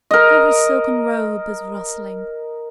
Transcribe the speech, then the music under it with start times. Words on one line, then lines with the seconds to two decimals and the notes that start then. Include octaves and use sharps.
How her silken robe is rustling!
0.11 A#4 D#5